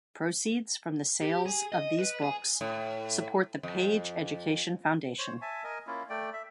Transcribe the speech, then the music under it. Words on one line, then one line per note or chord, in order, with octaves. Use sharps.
Proceeds from the sales of these books support the Page Education Foundation.
G4
G#4
D#5
B4
G#4
A2
F2
C5 C#5
E5 G#5 A5
A#4 D#5 G#5
A#3 C#4 E4 F4
A3 D5 G5
E5